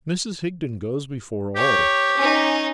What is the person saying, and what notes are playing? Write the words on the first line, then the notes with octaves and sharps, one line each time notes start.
Mrs Higden goes before all.
G4 C#5
C#4 D#4